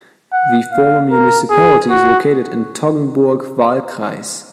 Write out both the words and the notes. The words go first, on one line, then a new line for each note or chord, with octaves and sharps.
The former municipality is located in the Toggenburg Wahlkreis.
F#5
F5
A#4
G#4
F#4